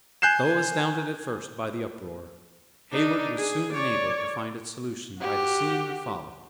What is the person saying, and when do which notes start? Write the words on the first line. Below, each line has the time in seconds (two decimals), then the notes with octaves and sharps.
Though astounded, at first, by the uproar, Heyward was soon enabled to find its solution by the scene that followed.
0.22 G#5 F#6 G6 C7 E7
2.92 D4 D#4
3.37 G#4
3.73 C#5 D5
5.20 F#4 G4